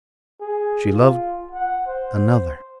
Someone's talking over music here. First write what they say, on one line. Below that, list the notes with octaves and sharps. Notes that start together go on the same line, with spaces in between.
She loved another.
G#4
F4
F#5
C5